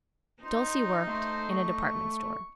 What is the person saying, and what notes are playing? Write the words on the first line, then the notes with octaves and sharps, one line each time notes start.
Dulcie worked in a department store.
D#4 C5
A3 C5
C#6